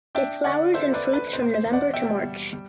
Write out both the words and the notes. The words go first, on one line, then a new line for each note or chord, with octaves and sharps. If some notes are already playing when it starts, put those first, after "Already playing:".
It flowers and fruits from November to March.
D4 E5 G5
D3 D5 F#5
D3 C5 E5
B4 D5
D4
B4
B2 C5
C5
E2
D5 F#5
B2 E5 G5
G3
G3